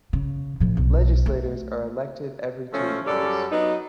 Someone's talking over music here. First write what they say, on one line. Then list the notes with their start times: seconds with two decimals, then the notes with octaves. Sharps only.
Legislators are elected every two years.
0.13 C#3
0.60 A2 F3
0.77 B1
1.26 A3
2.73 F3 A3 C#4
3.06 F#2 G3 A4 C#5 D5
3.51 F#3 B3 D#4